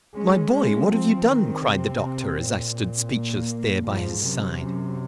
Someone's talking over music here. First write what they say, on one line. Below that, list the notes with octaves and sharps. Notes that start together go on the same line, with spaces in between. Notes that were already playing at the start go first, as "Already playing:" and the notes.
"My boy, what have you done?" cried the doctor, as I stood speechless there by his side.
G#3 C#4
G#3 C#4
F3 C4
D#3 C4
C3
A#2
A#3
G#2 F3
F#2 C3
F#2